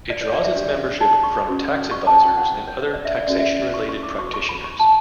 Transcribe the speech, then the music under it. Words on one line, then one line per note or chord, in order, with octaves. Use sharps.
It draws its membership from tax advisers and other taxation-related practitioners.
D5
C#5
D5
E5
D4 G4 C#5
A5
C#6
C#4 F#4 C#5
C#6
A5
G5
E4 B4 F#5
C#5
C#5
D5
E5
D5
C#4 F#4 A4 C#5 D5
E5
C#6
C#6
D6
F#4 B4 C#6
C#6
B5
C#6
A5